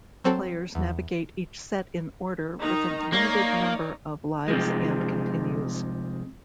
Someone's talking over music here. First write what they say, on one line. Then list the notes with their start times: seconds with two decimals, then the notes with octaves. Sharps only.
Players navigate each set in order with a limited number of lives and continues.
0.24 F#3 C4 A4
0.75 E2
2.61 D#3 D#4 A#5
3.13 A#3 D#4 C#5 D5
4.48 C3 F3 G#3